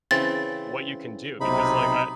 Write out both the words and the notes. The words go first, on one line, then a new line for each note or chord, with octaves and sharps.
what you can do, because, like, I, eh, eh
C#3 E3 C4 A6
B1 C3 D#4 B5